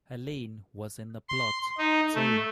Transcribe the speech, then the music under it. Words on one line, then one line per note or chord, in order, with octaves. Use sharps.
Helene was in the plot, too.
C6
D#4
A3